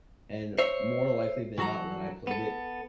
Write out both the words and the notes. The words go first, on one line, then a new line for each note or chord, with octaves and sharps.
and more likely than not when I played it,
C5 C#5 E5
E3 F#3 F#4 A4 A#5
B3 A4